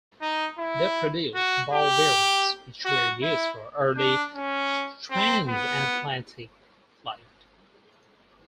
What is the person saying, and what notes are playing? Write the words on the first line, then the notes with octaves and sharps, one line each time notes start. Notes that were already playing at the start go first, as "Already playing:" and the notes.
They produced ball bearings which were used for early transatlantic flight.
D#4
E4
F#4
G4
F#4
E4
D4
C#4
C4
B3